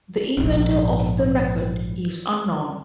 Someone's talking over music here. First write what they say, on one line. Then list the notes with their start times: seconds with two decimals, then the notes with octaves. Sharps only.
The inventor of the rackett is unknown.
0.37 A#1 G#2